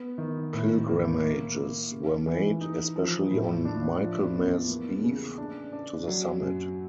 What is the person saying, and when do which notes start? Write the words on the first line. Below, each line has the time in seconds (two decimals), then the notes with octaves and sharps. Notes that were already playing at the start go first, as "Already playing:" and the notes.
Pilgrimages were made, especially on Michaelmas Eve, to the summit.
Already playing: B3
0.18 D#3
0.53 A2
0.88 A#3
1.22 A#3
1.57 A#3
1.92 C#3
2.27 E3
2.61 D#4
2.96 F3
3.31 A2
3.65 D4
3.99 F3
4.35 E2
4.68 A#3
5.03 C#3
5.38 D4
5.72 D4
6.07 F#3
6.41 F#2